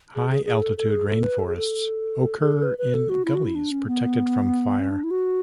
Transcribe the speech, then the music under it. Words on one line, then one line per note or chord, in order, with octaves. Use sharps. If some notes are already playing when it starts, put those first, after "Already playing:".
High altitude rainforests occur in gullies protected from fire.
G#4
G#4
G#4
A4
A4
G#4
A4
B4
A4
G#4
A4
G#4
A4
B4
B4
A4
F#4
E4
F#4
E4
D4
C#4
B3
C#4
D4
E4
F#4